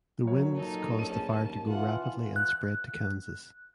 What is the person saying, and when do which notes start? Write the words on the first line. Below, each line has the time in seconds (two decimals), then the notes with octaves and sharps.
The winds caused the fire to grow rapidly and spread to Kansas.
0.24 A#2 F#3 C#5
0.56 D#4 A4
0.99 A#1 C#4 A5 D#7
1.31 D#2 A5
1.69 E3 F4 F#5
2.36 F#6